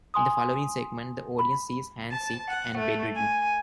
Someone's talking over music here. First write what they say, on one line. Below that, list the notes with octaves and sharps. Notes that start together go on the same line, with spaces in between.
In the following segment, the audience sees Hans sick and bedridden.
G#5 C6 D#6
B5
A5
F#5
A3
G#5